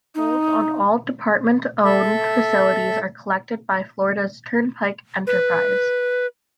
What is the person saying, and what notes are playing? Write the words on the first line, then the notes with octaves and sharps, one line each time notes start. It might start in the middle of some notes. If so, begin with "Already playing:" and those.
Tolls on all Department-owned facilities are collected by Florida's Turnpike Enterprise.
D#4
A4 E5
B4